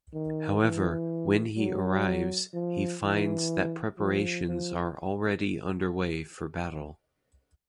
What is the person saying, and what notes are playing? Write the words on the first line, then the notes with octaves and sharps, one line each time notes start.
However, when he arrives, he finds that preparations are already underway for battle.
D#3
E3
F#3
F3
E3
F3
F3